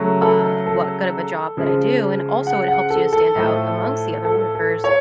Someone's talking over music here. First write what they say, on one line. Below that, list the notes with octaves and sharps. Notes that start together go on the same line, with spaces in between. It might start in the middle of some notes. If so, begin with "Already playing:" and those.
uh, what good of a job that I do." And, also, it helps you to stand out amongst the other workers.
Already playing: C#3 F#3 A3
A4
A4
C#3 F3 G#3
F#5
F#5
A4
A4
A2 F3 A3
A4
A4
C#5